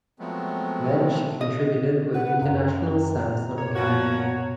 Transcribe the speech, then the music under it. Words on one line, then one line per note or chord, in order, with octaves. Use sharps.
Then she contributed with international Samsung campaign.
F3 F#3 G#3 A3 B3 C4
D#5
B4 F#5
F#2 F5 A#5
F#2 A#2 C#5
F3 A#3 B3 F#4